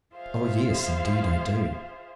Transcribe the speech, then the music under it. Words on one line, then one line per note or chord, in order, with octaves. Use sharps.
"Oh, yes, indeed I do!"
F4 G#4 C5 E5 F5